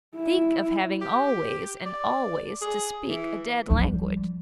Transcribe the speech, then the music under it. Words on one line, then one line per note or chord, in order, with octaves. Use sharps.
Think of having always--and always--to speak a dead language!
E4
G4
D5
G#4
E3
F3 G3